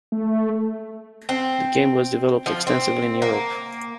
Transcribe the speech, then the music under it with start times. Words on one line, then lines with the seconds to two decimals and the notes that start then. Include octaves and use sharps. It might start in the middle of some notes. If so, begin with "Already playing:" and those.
The game was developed extensively in Europe.
0.12 A3
1.29 C4
2.46 F3
2.67 C4
3.22 A#3